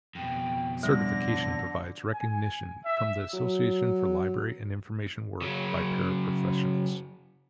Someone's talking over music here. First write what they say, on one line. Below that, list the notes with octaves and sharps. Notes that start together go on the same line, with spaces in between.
Certification provides recognition from the association for library and information work by para-professionals.
F2 B2 G5
D3 G3 A#6
G#5
E5
F#3
C#3 F#3